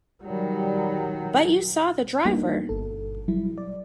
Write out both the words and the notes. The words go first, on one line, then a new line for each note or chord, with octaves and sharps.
But you saw the driver!
D#3 F#3 G3
G3 A#3 B3 D4 D#4 F#4
G1 A4
F#3 G3 E4
D5